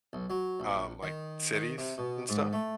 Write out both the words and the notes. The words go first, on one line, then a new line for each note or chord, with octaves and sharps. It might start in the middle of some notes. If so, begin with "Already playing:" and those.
um, like, cities and stuff
B1
F#3
A#1
D#3
D#3
C3
B2
G#2
A3